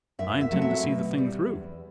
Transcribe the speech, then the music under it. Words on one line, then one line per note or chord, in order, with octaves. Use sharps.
I intend to see the thing through.
F#2 E5
E5
F#3 A3 C4
E5
B2
G3 C4
E2